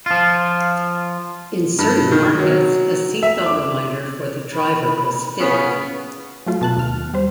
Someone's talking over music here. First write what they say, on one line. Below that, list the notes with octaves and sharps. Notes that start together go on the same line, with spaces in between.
In certain markets a seat belt reminder for the driver was fitted.
F3 F4
G2
D#3
F#3
E5
D6
B5
C#3 B3 C#4
F#3 A3 F4
B2 A5 F#6
D#2 F6
G3 C5